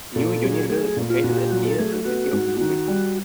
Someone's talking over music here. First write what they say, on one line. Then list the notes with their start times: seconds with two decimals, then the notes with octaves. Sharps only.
New Unionville is located at near the city of Bloomington.
0.16 A#2 A4
0.42 F#3 G#4
0.69 A3 G#4
0.97 A#2
1.10 F4
1.23 A#2 F#4
1.37 G4
1.50 F#3 F#4
1.65 A4
1.79 A3 G#4
1.92 F#4
2.05 B3 F#4
2.33 G#2
2.61 D#3
2.88 G3